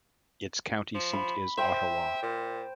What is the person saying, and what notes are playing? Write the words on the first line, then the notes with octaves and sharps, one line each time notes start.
Its county seat is Ottawa.
F3
B5
C5 E5 G5
A#2